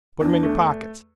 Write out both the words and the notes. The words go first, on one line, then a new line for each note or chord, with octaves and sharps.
"Put 'em in yo' pockets."
E2 D4
A3